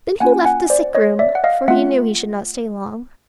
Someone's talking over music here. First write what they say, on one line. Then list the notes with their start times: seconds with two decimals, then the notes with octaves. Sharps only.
Then he left the sick room, for he knew he should not stay long.
0.20 A#3 C#4 F4 F#5 G#5
0.45 F#5 G#5
0.70 C5 D5
0.95 C#5 D#5
1.19 D5 E5
1.35 F#5
1.44 D#5 F5
1.68 A3 C4 F4 E5 F#5